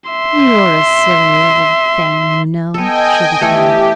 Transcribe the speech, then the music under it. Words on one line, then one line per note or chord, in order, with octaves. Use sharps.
"You're a silly old thing, you know," she declared.
E5 C6
B3 A4 D#5 G5 G#5
E3 A3 G4 A4